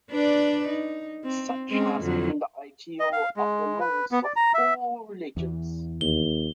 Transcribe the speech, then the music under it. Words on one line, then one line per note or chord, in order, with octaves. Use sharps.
Such has been the ideal of the monks of all religions.
D4 B4 D5
D#4
C4
G#3 C4 C#4
F2 D3 F#3
D#5
F5
G#3
B4
B3
D5
A#5
E5
E2 E3
D#2 G7